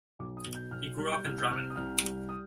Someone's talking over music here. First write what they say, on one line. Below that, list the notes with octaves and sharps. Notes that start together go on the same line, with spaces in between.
He grew up in Drammen.
B1 D6
D#6
B2
G6
B1 F6
G3 F6
G6
C2 F6
G6
C3 F6
D#6
C2 F6
G3
D#6